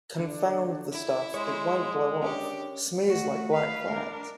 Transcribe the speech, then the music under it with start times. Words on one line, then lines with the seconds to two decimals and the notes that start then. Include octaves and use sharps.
Confound the stuff, it won't blow off — smears like black fat!
0.19 D3 D4
0.93 E4
1.34 G#3 C#5 C6
2.23 C#4 D4 G4 A#4 C#5
3.06 A3 F#4
3.50 B4 F5
3.89 D4 A#4